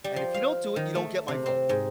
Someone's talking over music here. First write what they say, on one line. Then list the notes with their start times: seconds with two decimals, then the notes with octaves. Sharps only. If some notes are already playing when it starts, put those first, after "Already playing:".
"And if you don't do it, you don't get my vote."
0.04 G3
0.16 F3
0.34 F5
0.76 D#3
0.95 A3
1.28 C3
1.46 C4
1.69 G#2